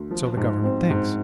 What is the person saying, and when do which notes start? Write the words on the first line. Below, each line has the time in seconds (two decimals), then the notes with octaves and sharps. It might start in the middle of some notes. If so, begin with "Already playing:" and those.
So the government thinks.
Already playing: D2
0.11 F3
0.37 G#2
0.64 C4
0.90 G#2